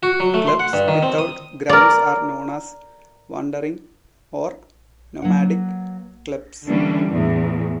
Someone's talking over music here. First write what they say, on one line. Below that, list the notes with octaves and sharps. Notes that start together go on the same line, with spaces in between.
Clubs without grounds are known as "wandering" or "nomadic" clubs.
F#4
F#3
A3
C6
F#5
G2
D#3
C4
D#6
A#4 D5
F#3 A#3 B4 F#5
D3 E3 G3 A#3 C#4 D4
E2 A2